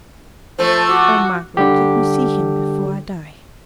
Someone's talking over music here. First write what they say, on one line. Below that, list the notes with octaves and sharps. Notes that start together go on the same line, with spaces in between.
Oh, Margaret, let me see him before I die!'
F3 A3 C5
F#4 D6
D3 G3 G4